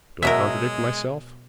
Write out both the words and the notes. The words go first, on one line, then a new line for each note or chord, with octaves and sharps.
Do I contradict myself?
B2 F#3 G#3 A#4 E5